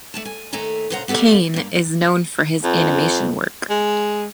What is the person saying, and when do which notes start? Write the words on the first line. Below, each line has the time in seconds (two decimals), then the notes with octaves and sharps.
Kane is known for his animation work.
0.14 A3 D5 A5
0.25 G#5
0.53 D#2 A3 A4 G#5 A#5
0.90 D2 A#2 C#3 C5 F#5 A#5
1.08 B3 G4 A4 D5 F5
1.54 G2 A#3
2.64 F2
3.70 G#3